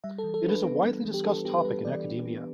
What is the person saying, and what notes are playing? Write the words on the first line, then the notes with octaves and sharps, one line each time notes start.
It is a widely discussed topic in academia.
G3 E5
A4
E3
A4
D4
B4
B3
G3
E3
G4
D4 A4
B3 G4
B4
G3 A4
E3 D5
D4
B3